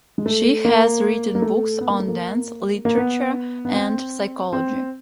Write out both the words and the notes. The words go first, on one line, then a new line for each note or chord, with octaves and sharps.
She has written books on dance, literature, and psychology.
G#3
A3
A#3
A#3
A3
B3
A#3
A3
A#3
A#3
B3
B3
C4
C4